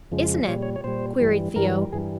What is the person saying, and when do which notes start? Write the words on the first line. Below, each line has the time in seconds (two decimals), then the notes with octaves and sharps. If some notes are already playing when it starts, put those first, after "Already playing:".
"Isn't it?" queried Theo.
0.11 F2 C#3 F3 G#3
0.48 A#2 G3 C#5
0.62 C#5
0.76 C#5
0.84 A#2 G3 C5
1.20 G2 E3 G3
1.56 G2 E3 G3 A#4
1.92 G2 E3 G3 G#4